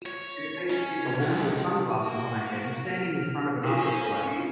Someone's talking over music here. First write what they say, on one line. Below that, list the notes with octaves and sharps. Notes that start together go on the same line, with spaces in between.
A woman with sunglasses on her head and standing in front of an art display.
C#5
C#4
C#2
A#3 F#4
F6
C#4 C5